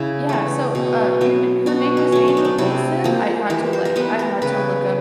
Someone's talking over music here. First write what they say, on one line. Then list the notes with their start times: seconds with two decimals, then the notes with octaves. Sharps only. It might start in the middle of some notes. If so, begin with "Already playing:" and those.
Yeah, so, uh, your n her name was Angel Olsen, I had to, like I had to look up
Already playing: C#3 E4
0.29 E3 A3
0.75 B2
1.21 F#3 B3
1.66 B2 F#4
1.97 C#4
2.12 F#3 A3
2.28 D4
2.37 D#4
2.45 D4
2.58 C3 E4
3.04 F3 A#3
3.50 E3 G4
3.73 C5
3.85 A#4
3.96 G3 B3 B4
4.19 A#4
4.42 C#3 B4